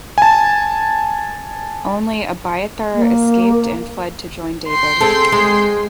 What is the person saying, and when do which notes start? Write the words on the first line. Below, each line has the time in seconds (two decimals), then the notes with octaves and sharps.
Only Abiathar escaped, and fled to join David.
0.18 G#5 A5
2.94 A#3
4.68 G5 C6
5.01 C4 G#4 A4
5.32 G#3